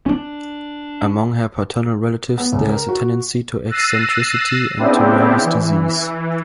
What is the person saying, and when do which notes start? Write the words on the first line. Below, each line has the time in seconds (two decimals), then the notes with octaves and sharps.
Among her paternal relatives there is a tendency to eccentricity and to nervous disease.
0.06 C#4 D4
2.38 B3
2.53 C#2
2.70 A#4
2.88 F#4
3.69 E6 F#6 A6 A#6 C7 D#7
4.79 C#3 B3 C4 D4 E4 G4
5.43 E3